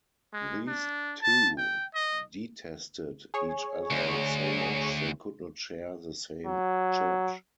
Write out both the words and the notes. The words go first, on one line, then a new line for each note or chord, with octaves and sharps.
These two detested each other so much they could not share the same church.
G#3
D4
A5
G5
D#5
G#4 C#5
D2
F#3